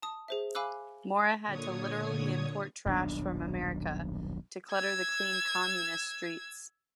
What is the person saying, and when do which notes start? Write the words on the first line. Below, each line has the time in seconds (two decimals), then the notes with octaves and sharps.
Mora had to "literally import trash from America to clutter the clean communist streets".
0.02 A5 D#6
0.28 G#4 C5 E5
0.55 F5 G#5 B5 D6 E6 F#6
1.46 A#2 D3 C#5 D#6 G#6
2.86 D#1 B1 F#2 D4
4.72 E6 G#6